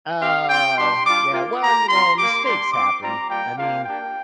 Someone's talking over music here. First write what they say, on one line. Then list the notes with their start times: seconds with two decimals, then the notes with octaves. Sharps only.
Oh, yeah, well, you know, mistakes happen. I mean,
0.20 C4 G4 F5
0.48 C4 F4 G5
0.76 G3 D4 G4 C6
1.04 G3 D4 F4 D6
1.33 A#3 F4
1.61 A#3 G4 A#5
1.89 G3 C4 F4 C6
2.17 A#3 G4 D6
2.45 G3 D4 G4 C6
2.73 C4 F4 D6
3.01 G3 C4 F4 A#5
3.29 G3 A#3 F4 G5
3.58 A#3 D4 F4 F5
3.85 A#3 D4 G4 G5